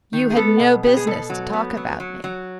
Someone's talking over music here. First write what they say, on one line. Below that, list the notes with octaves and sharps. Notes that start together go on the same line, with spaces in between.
"You had no business to talk about me!"
D#3
G#4
B3 A4
B2
B3 G4
G#4
B2 A4
F#3
B3
F#3
F#3
F#3